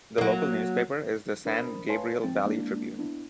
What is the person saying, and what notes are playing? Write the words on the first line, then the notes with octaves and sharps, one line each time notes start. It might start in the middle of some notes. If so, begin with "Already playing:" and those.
The local newspaper is the "San Gabriel Valley Tribune".
F#3 A#3
D4 A#4 C5 B5 D#6
B4 C#5 F5 G#5 A5 C6
F3 C4 G5 A6
G#3 A#3 D4 E4
B3 D4 E4